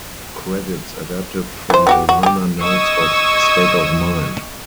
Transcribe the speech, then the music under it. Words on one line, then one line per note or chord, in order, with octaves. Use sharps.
Credits adapted from the liner notes of "State of Mind".
E3 C5
B3 F#4 G4
F#4
G4 G#4
D#5 C#6 D#6 E6 G#6